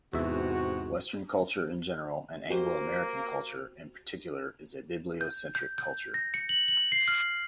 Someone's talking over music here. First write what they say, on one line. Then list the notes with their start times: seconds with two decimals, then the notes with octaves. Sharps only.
Western culture in general and Anglo-American culture in particular is a bibliocentric culture.
0.13 E2 G#2 C3 F#4 E5
2.50 A#3 F#4 G4 C5
5.21 G6
5.55 G6
5.78 G6
6.14 A#6
6.34 C#7
6.49 F#7
6.68 F#7
6.92 C7
7.08 F6